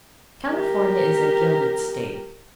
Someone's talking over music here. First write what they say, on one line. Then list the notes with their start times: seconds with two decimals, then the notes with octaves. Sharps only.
California is a gilded state.
0.48 G4 A#4